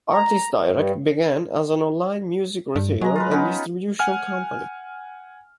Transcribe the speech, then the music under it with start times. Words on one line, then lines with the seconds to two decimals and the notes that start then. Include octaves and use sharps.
Artistdirect began as an online music retailer and distribution company.
0.12 A#5
0.68 G2
2.76 G2
3.01 F#3 G#3 A#5
3.16 F4 A#4 B4
3.31 B3 C#4 D#4
3.99 F#5 G#5 F6